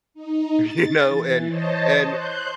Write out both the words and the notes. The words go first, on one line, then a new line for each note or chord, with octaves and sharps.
you know, and and
D#4
A6
E3
C5 C#5 D#5 A5
C6 F#6 G6